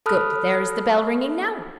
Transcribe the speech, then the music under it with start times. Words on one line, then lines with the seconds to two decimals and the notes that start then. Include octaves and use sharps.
Good! there is the bell ringing now.
0.06 A4 A5 B5 D#6 F6 F#6